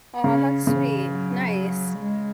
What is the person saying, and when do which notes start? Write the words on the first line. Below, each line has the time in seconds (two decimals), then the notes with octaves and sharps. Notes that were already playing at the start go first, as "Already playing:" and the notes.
Aw, that's sweet, nice.
0.24 C#3 C#4
0.67 C#3 E3
1.11 F#3
1.98 G#3